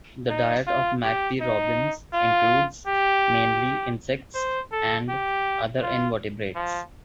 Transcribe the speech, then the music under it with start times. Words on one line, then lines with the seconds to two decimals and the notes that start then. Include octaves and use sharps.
The diet of magpie robins includes mainly insects and other invertebrates.
0.30 D#4
0.67 F4
1.04 G4
1.41 D#4
2.14 F4
2.88 G4
4.35 C5
4.72 A4
5.09 G4
5.83 F4
6.56 F3